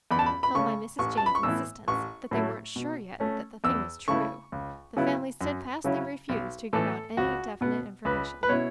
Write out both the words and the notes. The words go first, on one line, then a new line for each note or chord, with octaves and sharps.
Held by Mrs. Jane's insistence that they weren't sure yet that the thing was true, the family steadfastly refused to give out any definite information.
E2 B5
A5
B5
B5
C#3 A3 C#4 C#6
A1 C#6
A5
B5
C#6
A2 E3 B3 E4 E6
A1 C#6
A2 F#3 A3 E4
B2
A3 C#4
E2 E6
C#3 A3 E4 C#6
C#2
C#3 F#3 B3 E4
F#2
C#3 F#3 C#4 E4
B1
A2 E3 A3 A4
C#2 F#4
B2 B3
C#2 B4
B4
B2 B3 E4 C#5